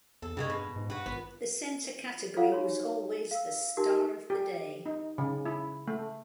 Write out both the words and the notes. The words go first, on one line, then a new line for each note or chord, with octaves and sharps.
The center category was always the "Star of the Day".
E2 A4
G2 C#3 F#3 G#3
B2
G#2
G2 F#4 B4
G#1 B3
F4 A4 C#5 F5 F#5
D#4 F#4 C#5
F5 E6
D#4 G4 A#4 A5
G4
D#4
C#3
E4
A3